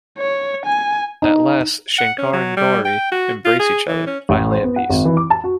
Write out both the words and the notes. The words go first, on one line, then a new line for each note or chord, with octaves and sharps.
At last, Shankar and Gauri embrace each other, finally at peace.
C#5
G#5
D#4
F#5
C#4
F#3
G3
G5
F#4
F4
G#4
E3
C#4
A1
C5
B3
F#5
G#1
E3
D6
A5
F#4